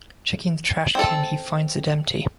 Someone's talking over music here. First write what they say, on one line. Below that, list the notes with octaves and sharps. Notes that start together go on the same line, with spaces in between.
Checking the trash can, he finds it empty.
C4 A4